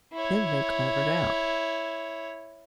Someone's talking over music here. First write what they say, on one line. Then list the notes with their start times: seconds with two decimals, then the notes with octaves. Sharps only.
Then they clambered out.
0.13 E4 C#5